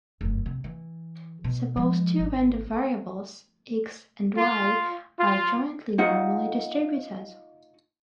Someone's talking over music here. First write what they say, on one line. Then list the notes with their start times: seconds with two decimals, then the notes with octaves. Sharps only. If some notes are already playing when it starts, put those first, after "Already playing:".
Suppose two random variables "X" and "Y" are "jointly" normally distributed.
0.21 F1 F#2
0.46 C3
0.64 E3
1.44 B2
1.77 F3 G#3
2.19 G#1
4.37 F4
5.19 F4
5.98 D#4 F4 F#5